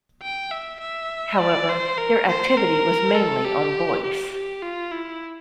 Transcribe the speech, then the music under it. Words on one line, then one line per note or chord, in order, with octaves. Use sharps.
However, their activity was mainly on voice.
G5
E5
E5
D5
C5
A#4
C5
A#4
A4
G4
G4
G4
F4
E4